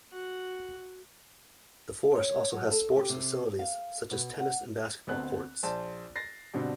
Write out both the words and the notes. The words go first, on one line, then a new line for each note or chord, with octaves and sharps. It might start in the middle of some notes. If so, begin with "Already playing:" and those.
The Forest also has sports facilities, such as tennis and basketball courts.
F#4 F#5
C#5
F#3
A4
G4
C3
F5
B2
F#5
D2 B3 C4 F#6
A#1 C5 A5
A6 A#6 C7
G2 B2 D3 C4 D4